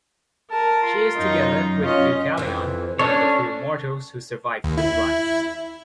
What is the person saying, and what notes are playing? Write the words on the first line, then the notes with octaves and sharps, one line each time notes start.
She is together with Deucalion, one of the few mortals who survived the flood.
A#4 A5
F4
F#2 D#4 A#5
C#4 F4 D#5 F5
F2 E3
C#4 D4 A4 C#5
D#2
E4